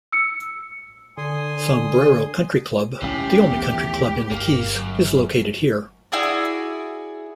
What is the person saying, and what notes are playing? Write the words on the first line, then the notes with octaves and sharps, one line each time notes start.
Sombrero Country Club, the only country club in the Keys, is located here.
E6 C#7
D3 G#5 C6 D#6
A#1 A2 F3 C#4 G4
D#2 E3 B3
G1 A#3
F#2
E4 F#4 G#4 D5